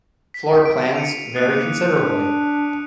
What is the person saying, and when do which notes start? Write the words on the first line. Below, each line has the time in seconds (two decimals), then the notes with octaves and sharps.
Floor plans vary considerably.
0.34 B6
0.65 D7
0.95 C#7 D#7 F7
1.36 A#3 D#6 F#6
1.98 D4